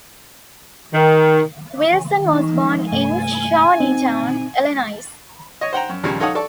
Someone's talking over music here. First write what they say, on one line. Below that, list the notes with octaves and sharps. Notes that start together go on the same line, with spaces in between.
Wilson was born in Shawneetown, Illinois.
D#3
D#3
G2 C3 A3 G#5
C4 D#4
C#5 D#5
C5 F#5 G5 A#5
F#2
D#2 A#2 C#3 F3 G3
D#4 A4 C#5 F5 F#5 D#6
A4 D5 C#6